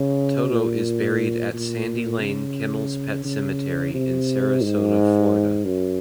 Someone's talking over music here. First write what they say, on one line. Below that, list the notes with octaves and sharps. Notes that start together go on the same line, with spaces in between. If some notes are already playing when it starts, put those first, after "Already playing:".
Toto is buried at "Sandy Lane" Kennels Pet Cemetery in Sarasota, Florida.
Already playing: C#3
A#2
A#2
C#3
C#3
C3
G#2
F#2